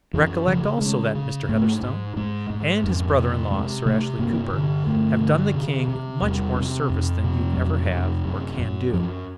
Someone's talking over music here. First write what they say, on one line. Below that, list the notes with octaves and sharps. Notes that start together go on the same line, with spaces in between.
Recollect also that Mr. Heatherstone, and his brother-in-law, Sir Ashley Cooper, have done the king much more service than you ever have or can do.
F#2 E3
C#3 F3
C#3 G#3
C#3
G#2 A3
G#2
G#2 G#3
G#2
F2
C3
C3 G#3
C3 A3
G2 A#3
D3
G2 A3
D3
C3
C3
E2 G3
C3
F2
C3
G3
F2 F#3
C3
F#2
F#2
F#2 F3